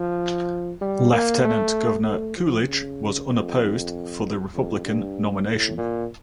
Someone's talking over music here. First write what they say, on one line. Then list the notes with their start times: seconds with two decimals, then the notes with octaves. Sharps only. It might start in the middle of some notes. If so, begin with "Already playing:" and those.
Lieutenant Governor Coolidge was unopposed for the Republican nomination.
Already playing: F3
0.81 G3
1.13 A#3
1.44 A3
2.05 A3
2.37 F3
2.68 C#3
3.30 F2
4.55 F2
4.85 G2
5.47 A2
5.78 A#2